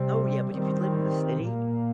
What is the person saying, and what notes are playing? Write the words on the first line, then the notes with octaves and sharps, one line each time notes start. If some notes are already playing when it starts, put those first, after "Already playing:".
Oh, yeah, but if you live in the city,
Already playing: C3 G3 C4
D#3 G3 C4
A#2 A#3